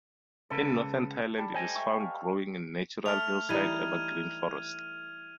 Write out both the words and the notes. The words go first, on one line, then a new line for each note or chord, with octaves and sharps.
In Northern Thailand it is found growing in natural hillside evergreen forest.
C#2 C#3 A4 B4
G3 A5
C5 D#5 G5 G#5
E5 C#6
F5
A3 F6 F7
E3 G3 D#4 G#6 D#7